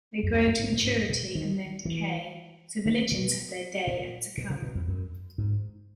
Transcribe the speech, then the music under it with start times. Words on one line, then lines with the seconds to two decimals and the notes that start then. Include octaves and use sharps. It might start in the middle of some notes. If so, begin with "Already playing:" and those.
They grow to maturity and then decay; so religions have their day and succumb.
0.23 F#2
0.34 E2
0.47 F#2
0.59 G#2
0.72 B2
0.85 G#2
1.10 B2
1.35 D#3
1.85 E3
2.86 D#3
3.12 B2
3.87 A#2
4.38 B2
4.50 C#3
4.62 B2
4.75 E2
4.88 F#2
5.38 G#2